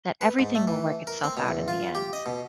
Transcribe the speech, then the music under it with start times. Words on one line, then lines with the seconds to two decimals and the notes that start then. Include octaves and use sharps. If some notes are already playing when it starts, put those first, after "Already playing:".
that everything will work itself out in the end
0.21 B4
0.39 G#2
0.55 A3
0.67 E3
1.07 A#4
1.24 C4
1.37 B2
1.48 E2
1.68 F4
1.95 G4
2.13 D#5
2.26 B2